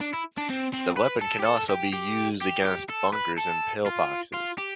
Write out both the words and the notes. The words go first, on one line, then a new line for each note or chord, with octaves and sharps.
The weapon can also be used against bunkers and pillboxes.
D4
E4
D4
C4
C4
B4
A4
G4
A4
G4
G4
G4
G4
A4
B4
A4
F4
F4
G4